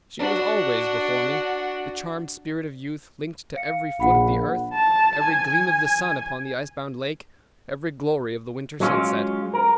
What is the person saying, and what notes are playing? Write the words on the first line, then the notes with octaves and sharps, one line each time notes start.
She was always before me,—the charmed spirit of youth, linked to every foot of the earth, every gleam of the sun upon the ice-bound lake, every glory of the winter sunset.
D4 F#4
F5 C#7
A#1 A#4 F#5 B5
A5
G#5
F#3 G#3 C#4 F4
A#4